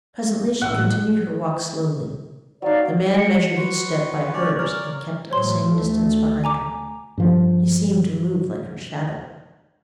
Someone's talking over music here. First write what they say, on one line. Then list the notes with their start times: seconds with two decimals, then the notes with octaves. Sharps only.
Presently she continued her walk slowly; the man measured his step by hers, and kept at the same distance behind her; he seemed to move like her shadow.
0.61 A1 F#5 E6
2.62 F#3 D#4 D5 F5
3.14 C#7 D7
3.56 F#4 B4 C6
4.33 C#4 C#5 D5
4.59 A#4 C#5 D5 F6
5.30 A2 E3 F#3 C5 C#5 C6
5.65 D2 A3
6.44 G#5 A#5 D6
7.18 G2 F3